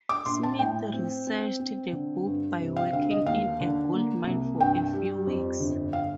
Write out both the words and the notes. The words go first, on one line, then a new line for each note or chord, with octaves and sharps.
Smith researched the book by working in a gold mine for a few weeks.
D6
A#1 C6
A5
A2 G5
C4
C4
C4
D3
G2
C3
F5
D2 F5
D#5
D#2 F5
D3
A#3
C2
G2 G5
G3
F2
G1
F5